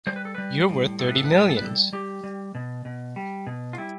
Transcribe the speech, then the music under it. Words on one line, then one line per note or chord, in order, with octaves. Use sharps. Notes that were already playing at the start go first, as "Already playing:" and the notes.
You're worth thirty millions!
G3 C5
B4
A4
G3 B4
A2
A2 A4
B4
A4
B4
G3 A4
B4
A4
B4
G3 A4
G3 G4
G3
B2
B2
G3
B2
F4
G3 E4